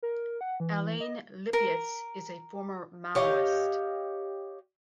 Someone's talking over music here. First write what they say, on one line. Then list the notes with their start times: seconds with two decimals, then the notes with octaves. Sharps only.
Alain Lipietz is a former Maoist.
0.03 A#4
0.41 F#5
0.60 E3
1.00 D#5
1.53 A#4
3.15 G4 C#5 D#5 F5